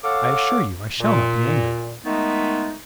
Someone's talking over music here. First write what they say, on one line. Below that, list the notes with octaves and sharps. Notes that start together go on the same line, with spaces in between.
"I assure you I shall not be angry with you."
A4 C#5 F5 F#5 D6
A#2
D#3 G#3 A3 B3 D#4